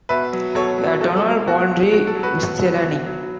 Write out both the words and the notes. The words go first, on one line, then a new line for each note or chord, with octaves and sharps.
"A Donald Wandrei Miscellany".
B2 B4 E5
F#3
B2 A4 C#5
F#3
B2 A4
A4
F#3
B2 F#4
F#3
B2 F#4
A4
F#3
F#4 B4
B2
F#3
B2
F#3